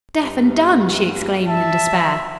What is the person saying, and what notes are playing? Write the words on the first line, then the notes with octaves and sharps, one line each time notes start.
"Deaf and dumb!" she exclaimed in despair.
G2
E5 A5